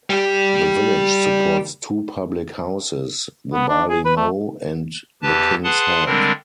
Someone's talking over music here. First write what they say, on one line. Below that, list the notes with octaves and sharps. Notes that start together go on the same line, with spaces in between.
The village supports two public houses, the Barley Mow and the Kings Head.
G3 G4
B3
D4
G#4
B4
A3
E2 G4 B4 A5
G#4 B4 F#5 A5 C6
D3 G3 G#3 C4 D4 A#4